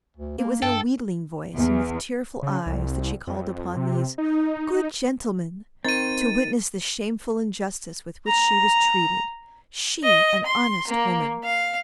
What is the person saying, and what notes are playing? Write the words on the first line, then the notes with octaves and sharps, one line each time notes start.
It was in a wheedling voice, and with tearful eyes, that she called upon these "good gentlemen" to witness the shameful injustice with which she was treated--she, an honest woman.
D2
A#3
G2 A4 G5
E2
C#3
C2
F2
C3
D#4
D#3 C4 A6 D#7
A#5
D#5
C6
A#3
F5